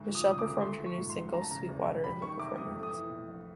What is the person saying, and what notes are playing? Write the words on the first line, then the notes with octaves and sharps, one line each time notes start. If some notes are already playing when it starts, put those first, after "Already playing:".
Michelle performed her new single "Sweet Water" in the performance.
Already playing: D2 G#2
F3
D#6
C#3 D#6
D6
D2
A3 C6
F3
C#6
G#2
C6
A1
F#3 A#5
A5
C#3 A#5
E2
E1
G3 B5
D#3 C#6
C3 D6
F2 D#6
A3
D#6
E3
A2
A#1